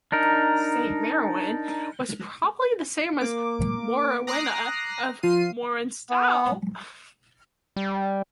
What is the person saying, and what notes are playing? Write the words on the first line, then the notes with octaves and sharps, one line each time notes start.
Saint Marwenne was probably the same as Morwenna of Morwenstow.
D4 D#4 A#4
A#3 D6
A#5 D6 D#6 F#6 A#6 C7
F3 F4 C7 D#7
B3
G3